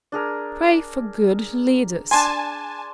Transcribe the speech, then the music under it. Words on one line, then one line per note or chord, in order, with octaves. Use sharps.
"Pray for good leaders."
D4 G#4 A#4
D4 G#5 A5 C6